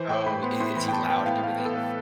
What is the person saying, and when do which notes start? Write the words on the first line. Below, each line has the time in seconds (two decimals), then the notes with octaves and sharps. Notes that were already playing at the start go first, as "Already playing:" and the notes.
Oh, i is he loud and everything?
Already playing: E3 C5
0.09 A2 G5
0.26 A2 B5
0.43 B3 C6
0.60 A2 C6
0.76 E3 B5
0.88 G5
0.93 B3 A5
1.10 B3 G5
1.26 A2 F5
1.43 B3 F5
1.60 B3
1.65 A4
1.76 A2 B4